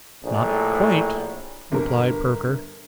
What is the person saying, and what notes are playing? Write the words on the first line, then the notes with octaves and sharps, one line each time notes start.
'Not quite,' replied Perker.
A#1 A2
G1 A#4